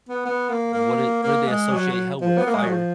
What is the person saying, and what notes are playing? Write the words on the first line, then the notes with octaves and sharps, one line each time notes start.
what i what they what associate hell with? Fire.
B3
B3
A#3
A#3
A#3
G#3
F#3
F#3
F3
B3
A#3
G#3
F#3
F3